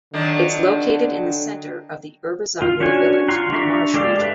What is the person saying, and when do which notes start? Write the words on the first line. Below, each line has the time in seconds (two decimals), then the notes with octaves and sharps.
It’s located in the center of the Urbisaglia village, in the Marche region.
0.14 D3 D#3 F#3 D4
2.62 F4
2.80 C#4 D4 F#4 C#5 G#5
3.28 F4 F#5 A#5 C6 C#6
3.52 D4 G4 E5 A#5 C#6
3.94 G#3 G4 A4 D5 F5
4.19 G4 B4 E5